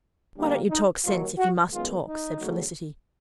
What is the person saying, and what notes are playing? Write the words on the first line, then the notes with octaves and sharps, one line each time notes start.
"Why don't you talk sense, if you must talk?" said Felicity.
D2 D3 G3 A#3 D4
D#4
D#2 D#3 F#3 A#3 F4
F#4
F#2 D#3 G#3 B3 F4
D#4
E2 C#3 F#3 A3